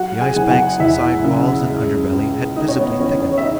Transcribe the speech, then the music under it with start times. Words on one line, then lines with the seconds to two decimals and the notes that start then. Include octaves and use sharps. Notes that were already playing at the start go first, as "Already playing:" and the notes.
The Ice Bank's side walls and underbelly had visibly thickened.
Already playing: F#3 F#4 F#5
0.21 G#4 G#5
0.36 F#1
0.51 F#4 F#5
0.80 E2 E4 E5
1.24 C#3
1.68 G#3
2.12 C#2
2.56 C#3 D#4 D#5
2.68 C#5
2.78 B3 B4
3.00 E3 C#4 C#5
3.22 C#4 C#5
3.38 E5
3.44 D#4 D#5